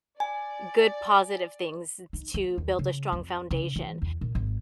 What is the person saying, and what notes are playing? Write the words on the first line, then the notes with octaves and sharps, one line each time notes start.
good positive things t to build a strong foundation,
D5 G#5
D#4
A#3
D#2
C#3
F2
C#3
E3
E2
A#2
G#1